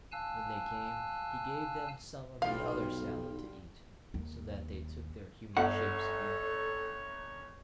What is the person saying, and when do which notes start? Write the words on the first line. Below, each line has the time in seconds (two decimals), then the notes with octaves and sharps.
When they came he gave them some of the other salad to eat, so that they took their human shapes again.
0.12 F5 G#5 A5 E6 F#6
2.42 B1 D3 G3 F4 F5
4.14 D#2
5.57 G1 A4 C#5 F#5